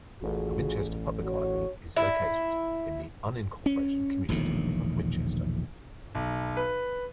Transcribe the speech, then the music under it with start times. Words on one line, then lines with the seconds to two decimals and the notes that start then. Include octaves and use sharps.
The Winchester Public Library is located in the unincorporated community of Winchester.
0.22 A1 F4 F#4 G#4
1.23 F#4 C#5
1.96 E4
3.66 C#4
4.29 E1 A#1 A2 D#3
6.15 B1
6.57 B4